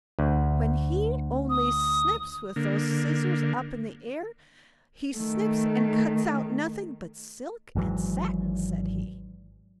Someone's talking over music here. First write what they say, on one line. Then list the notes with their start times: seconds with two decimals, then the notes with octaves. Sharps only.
'When he only snips with those scissors up in the air he snips and cuts out nothing but silk and satin', said he.
0.19 D2
1.50 D#6
2.56 D3 A#3
5.16 D#3 A3
7.75 G#1 G#2 E3 F#3